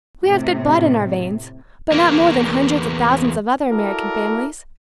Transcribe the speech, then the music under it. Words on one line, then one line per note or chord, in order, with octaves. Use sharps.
We have good blood in our veins, but not more than hundreds of thousands of other American families.
A2 C3
E2 A#3
E4 F#4 A4 A#4 D5